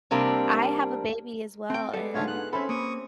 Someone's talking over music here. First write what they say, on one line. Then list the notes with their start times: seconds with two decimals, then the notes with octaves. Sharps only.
I have a baby as well, and
0.11 C3 G3 A#3 C4 D4
1.70 C4 G5
1.93 G3 B3 A4
2.14 G#2 D3 A3 F4 G#4 C#5 F5
2.28 B3 F#6
2.53 C4 C#4 A4 E5 B5
2.69 A#3 C#6 D#6